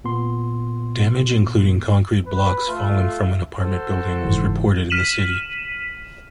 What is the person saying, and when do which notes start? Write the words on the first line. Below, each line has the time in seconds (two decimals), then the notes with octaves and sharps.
Damage including concrete blocks falling from an apartment building was reported in the city.
0.04 A#2 B3 C6
2.25 B4
2.67 A3 F4
3.59 F#4 A4 C5
4.24 F#1 G#2 E3
4.90 F6 B6 D#7 E7 F#7